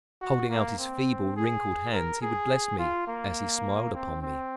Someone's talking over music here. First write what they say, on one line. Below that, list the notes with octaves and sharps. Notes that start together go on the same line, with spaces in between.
Holding out his feeble, wrinkled hands he would bless me as he smiled upon me.
F#4
A#3
C4
G#4
A#4
G#4
F4
A#3
C4
C4